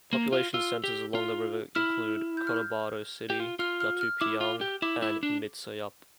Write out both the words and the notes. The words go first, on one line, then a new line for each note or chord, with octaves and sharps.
Population centers along the river include Cotabato City, Datu Piang, and Midsayap.
A#3
F4
F4 E6
G4
F4
E4 F6
G6
F6
G6
G4
F4
F4 F6
F6
F6
E4 D6
F4
G4
E4 D6
E4
D4